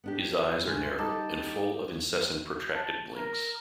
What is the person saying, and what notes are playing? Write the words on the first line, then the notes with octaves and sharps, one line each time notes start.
His eyes are narrow and full of incessant, protracted blinks.
B3 D4 G4
G2 C3 G#3
G3 D#4 G4 A4 A5
A5
A#4